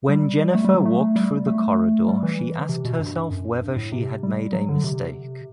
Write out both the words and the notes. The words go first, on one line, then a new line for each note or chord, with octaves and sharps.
When Jennifer walked through the corridor she asked herself whether she had made a mistake.
G3
A3
G3
F#3
A3
G3
A3
G3
E3
C3
B2
G2
F#2
G2
A2
C3
G3
F#3
D3
C3